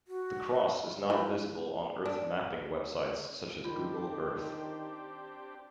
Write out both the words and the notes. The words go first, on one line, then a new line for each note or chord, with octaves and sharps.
The cross is now visible on earth mapping websites such as Google Earth.
F#4
E3 F3
D4
D#3 C4 D4 F4 G4